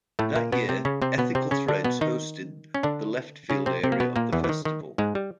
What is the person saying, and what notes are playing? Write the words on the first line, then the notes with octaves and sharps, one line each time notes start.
That year, Ethical Threads hosted The Left Field area of the festival.
A2 A3
A#2 A#3
B2 B3
C3 C4
C#3 C#4
C3 C4
B2 B3
C3 C4
C#3 C#4
D3 D4
B2 B3
D#3 D#4
C#4
D3 D4
C#3 C#4
C3 C4
C3 C4
A#3
B2 B3
A#2 A#3
E2 E3
E3
D#3
D#3
G#2 G#3
G3